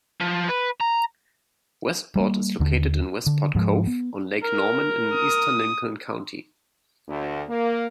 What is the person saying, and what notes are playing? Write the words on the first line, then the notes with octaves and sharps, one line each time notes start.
Westport is located in Westport Cove on Lake Norman in eastern Lincoln County.
F3
B4
A#5
G3 A#3
D#2 D3
D3
G#2 F3 G3 G#3
B3
A#4
D#6
D2
A#3